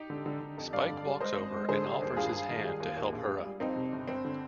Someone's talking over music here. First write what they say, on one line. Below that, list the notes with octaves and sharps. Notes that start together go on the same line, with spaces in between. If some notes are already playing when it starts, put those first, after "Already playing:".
Spike walks over and offers his hand to help her up.
Already playing: D#4 G4
D3
D3
D3
F2
G2 D5 F5
D3
G3
G#3 C5 D#5
G#1
G#3
D3 G#4 C5
G3
D#2
G2 F4 G#4
G2
D#3
G3
D#2
D#2
A#1
G3
G3
F2 C4 D#4
C3
G1
G1 C4
D3